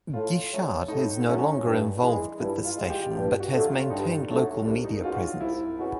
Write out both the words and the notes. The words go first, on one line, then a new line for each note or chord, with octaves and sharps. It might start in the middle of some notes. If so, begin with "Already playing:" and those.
Guichard is no longer involved with the station but has maintained local media presence.
A2 F4
F#3 A3 C#4
A2 D#4
F#3 A3 C#4
G2
E3 G#3
G2 E4
F4
E3 G#3
G4
G2 G4
F#4
D3 F#3 A3
F4
G2 D#4
D3 F#3 A3
C2 D4
D#4
B2 G#3 C#4 F4 F#4
F4
C2 E4
B2 G#3 C#4 F#4